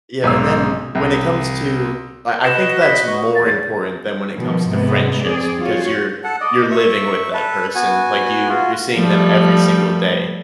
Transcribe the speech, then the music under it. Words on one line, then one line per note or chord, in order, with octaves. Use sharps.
Yeah, and then when it comes to I I think that's more important than when it comes to friendships because you're you're living with that person. Like, you you're seeing them every single day.
B1 G#2 E6
C2
F#4 B4 D#5 E7
B6
C#6
E2 A6
B2 D#3 F3
G#2 C3 G#3 B3
F2 C4 G#4 D5
F4 F#4 C#5
A4 F#5
D5 D#5
E5 C#6
A4 B4
B3 F#4 G#5
F4 F#4
F3 G3 A3